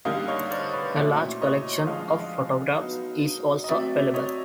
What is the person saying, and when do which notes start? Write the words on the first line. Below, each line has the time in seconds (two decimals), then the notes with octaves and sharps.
A large collection of photographs is also available.
0.05 D3 G3 A#3 D#4 D#5 F5
0.28 C#5 D#5
0.51 C5 D5
0.73 B4 C#5
0.96 A#2 F#3 A3 C#4 E4
1.42 C#5 D#5
1.87 D3 F3 G#3 D#5 F5
2.78 F#3 B3 D#4
3.64 D#5
3.68 F#3 A3 C4 D5 E5
4.14 C#5 D#5